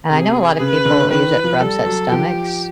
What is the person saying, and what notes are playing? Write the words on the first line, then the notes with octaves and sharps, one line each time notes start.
And I know a lotta people use it for upset stomachs,
C3 G#4
C#3 B4
D3
D#3 B4
E3
F3
G3 A4
F#3
F3 G4